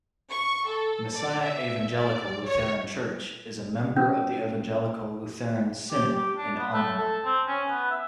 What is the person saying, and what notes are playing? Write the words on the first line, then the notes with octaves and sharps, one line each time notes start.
Messiah Evangelical Lutheran Church is a member of the Evangelical Lutheran Synod in Omro.
C#6
A4
D5
E5
D5
C#5
C#4
G4
G4
D4
B3
A3
A4
C4
C#4
B3
E5